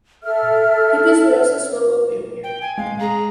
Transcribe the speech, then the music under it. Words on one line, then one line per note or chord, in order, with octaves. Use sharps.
Hippies would also smoke opium here.
A4 E5 F6
G5
G#5
G#3 F5
G#4 A#5